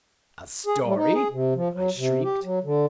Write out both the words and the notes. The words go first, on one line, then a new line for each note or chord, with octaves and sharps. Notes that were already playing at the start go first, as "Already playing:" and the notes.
"A story!" I shrieked.
G#4
G3
D#4
G#4
C3
F3
F#3
C3
G4
F#3
D3